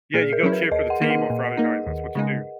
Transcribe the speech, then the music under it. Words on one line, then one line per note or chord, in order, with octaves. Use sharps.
Yeah, you go cheer for the team on Friday night that's what you do.
A#2 G#4
A#4
F#3 C#4 E4
B4
D#2 D#5
F#5
D#3 A#3 D#4
F#5
A#2
A#3 D#4
D#2
C#3 G#3 D#4